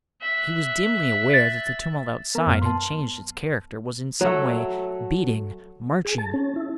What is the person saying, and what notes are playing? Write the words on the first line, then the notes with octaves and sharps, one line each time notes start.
He was dimly aware that the tumult outside had changed its character, was in some way beating, marching.
E5 F#6
A6
B3 A#4 A#5
F#2 F#3 F6
A5 C6
F#3 A3
G#4
A5
C#4
E4